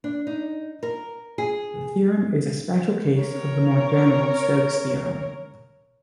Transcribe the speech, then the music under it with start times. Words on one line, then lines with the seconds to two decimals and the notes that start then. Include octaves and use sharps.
The theorem is a special case of the more general Stokes' theorem.
0.04 D4
0.27 D#4
0.83 A#4
1.38 G#4
3.20 A#4 C#5